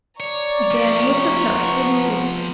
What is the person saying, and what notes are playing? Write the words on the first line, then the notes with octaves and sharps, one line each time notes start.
Again was the search renewed.
C#5 D5 A#5 C#6
F3 G4
B3